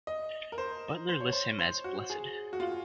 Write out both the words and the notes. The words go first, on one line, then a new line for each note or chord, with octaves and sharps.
Butler lists him as "blessed".
D#5
A#4
C5
C5
C#5
C5
C5
F#4
G#4
F#4
F4